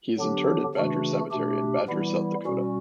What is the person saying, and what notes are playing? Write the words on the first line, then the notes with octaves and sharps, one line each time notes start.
He is interred at Badger Cemetery in Badger, South Dakota.
D3 F#3 B3 D4 G4
C#3 E3 A3 D4 F#4
B2 A3 D4 G4
E3 G3 B3 E4
B2 G3 C#4 F#4